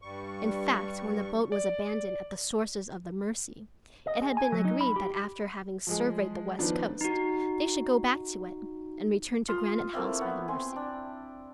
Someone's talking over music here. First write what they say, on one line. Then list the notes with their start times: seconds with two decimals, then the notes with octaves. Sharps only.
In fact, when the boat was abandoned at the sources of the Mercy, it had been agreed that after having surveyed the west coast, they should go back to it, and return to Granite House by the Mercy.
0.02 G2 G3 C#6
1.52 D5
4.07 D#5
4.22 G#4
4.37 G#5
4.52 F#3
4.65 D#4
4.81 B5
4.96 G4
5.87 F3 G#3 G#4
6.59 D#3 F3 B3 D4 D#4
7.01 D#4 F#4
9.48 F4 F5 C6 D#6
9.93 A3 A#3 C4 E4
10.17 B3 C#5
10.48 C4 G#5 C6
10.72 D4 G5